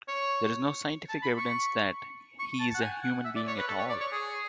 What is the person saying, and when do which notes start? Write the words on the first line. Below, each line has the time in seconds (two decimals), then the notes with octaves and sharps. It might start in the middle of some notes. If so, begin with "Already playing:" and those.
There is no scientific evidence that he is a human being at all.
0.08 C#5
1.09 A5
1.23 B5
1.38 C#6
2.39 C#6
2.60 A5
2.75 F#5
2.82 G#5
3.03 F#5
3.25 E5
3.36 D5
3.47 C#5
3.58 B4
3.68 A4
3.79 C#5
3.89 D5
4.00 C#5
4.12 G#4